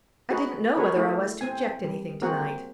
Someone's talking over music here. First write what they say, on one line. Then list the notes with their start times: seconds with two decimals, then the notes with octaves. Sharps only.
I didn't know whether I was to inject anything to-night.
0.30 D#4 F#4 G#4 B4 F#5
0.76 C#4 F#4 G#4 A#4 B4 C#5
0.95 A3 E4 F#4 G#4
1.41 C4 G#5
1.85 G3
2.22 A#3 C4 F#4 G#4 A#4 F#5